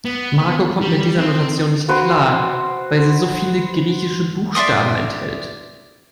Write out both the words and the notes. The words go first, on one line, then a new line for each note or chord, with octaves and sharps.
Marco kommt mit dieser Notation nicht klar, weil sie so viele griechische Buchstaben enthält.
B3
G3
C4
F#4 B4 C5 G5
D5 E5 C6 D#6